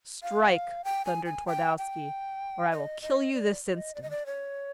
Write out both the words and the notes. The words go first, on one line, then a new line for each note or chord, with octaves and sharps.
"Strike!" thundered Twardowski, "or I will kill you this instant."
F5
G5
G#5
G#5
G5
G5
D#5
D#5
D5
D#5
D5
D#5
D5
C#5